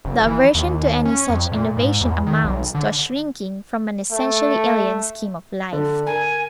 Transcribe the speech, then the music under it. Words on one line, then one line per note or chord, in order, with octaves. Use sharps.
The aversion to any such innovation amounts to a shrinking from an essentially alien scheme of life.
F#1
E3
D#2
C#4
F2
A#2
G#2
E2
D#3
B1
D3
A3
D3
A#4 G#5